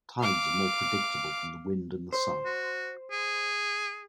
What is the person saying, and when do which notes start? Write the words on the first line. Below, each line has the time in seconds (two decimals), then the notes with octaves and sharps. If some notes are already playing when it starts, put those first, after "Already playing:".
Tides are more predictable than the wind and the sun.
0.21 F5 D6
2.13 C5
2.46 F#4
3.11 G#4